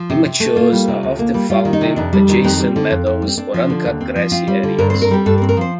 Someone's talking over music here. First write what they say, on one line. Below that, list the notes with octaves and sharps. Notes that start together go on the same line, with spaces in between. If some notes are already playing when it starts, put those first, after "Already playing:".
Immatures are often found in adjacent meadows or uncut grassy areas.
Already playing: F3
C3
C3
A3
A#3 F4
G3
C3
D2
A#3
G3
G3 F4
D#3
D#4
C3
F2 D4
G3
D#3
F2 C4
G3
D3
F2
F2
G3
C4
C4 D4
F3
D3
D#2
C4
F3
C4 F4
G3
D3
G2 A#4
C4 C5
A#4
G3 G4
G2 A4
A#4
C4
A#4
F3 C5